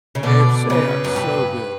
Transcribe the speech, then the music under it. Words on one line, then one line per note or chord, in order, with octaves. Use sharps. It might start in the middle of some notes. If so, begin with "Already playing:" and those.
Yes, they are so good.
C#3
B2 D3 D5
C#3 B4
F#2
G2